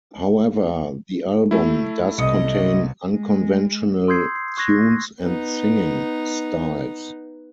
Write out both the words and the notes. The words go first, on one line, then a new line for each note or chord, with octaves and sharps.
However, the album does contain unconventional tunes and singing styles.
A3 E4
C2 D#5 C#7
G#3
C6 D#6 E6 G6 G#6 C7
C7
C#6 F#6 G#6 A#6
B3 D#4